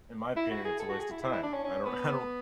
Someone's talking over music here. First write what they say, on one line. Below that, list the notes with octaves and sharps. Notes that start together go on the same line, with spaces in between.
in my opinion, it's a waste of time, I don't I don't
E4
F#4
G#4
A4
F#4
G#4
E4
E4
E4
D4
C#4
C#4
B3